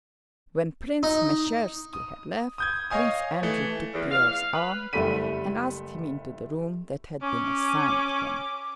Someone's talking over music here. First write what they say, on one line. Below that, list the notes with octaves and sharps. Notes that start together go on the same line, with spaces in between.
When Prince Meshcherski had left, Prince Andrew took Pierre's arm and asked him into the room that had been assigned him.
D#4
D#6
D#6 G6 G#6
C#5 D#5 F5 G#5 D#6
E3 A3
E2
F5
B4
F#1 G3 A3 B5 B6 D#7
C#4 D6